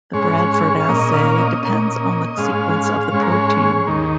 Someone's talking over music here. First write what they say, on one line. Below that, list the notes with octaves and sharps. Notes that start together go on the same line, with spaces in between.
The Bradford assay depends on the sequence of the protein.
G#2 G#3 C#4 C#5
F5
A#2 A#3 C#4 D#5
F5
D#5
A#2 A#3 C#4 D#5
G#2 G#3 C#4 F5
G#2 G#3 C#4 C#5
A#4
C#5
D#2 D#3 A#3